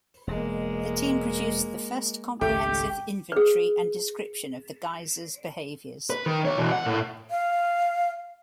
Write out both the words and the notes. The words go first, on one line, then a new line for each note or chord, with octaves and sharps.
The team produced the first comprehensive inventory and description of the geysers' behaviors.
E1 G#3 A#3
G#1 C#2 A3 G4 G5 D6
G#4 B4
B4
D#3
B3 C#5
B2 E3
B1 F#5
A2
F5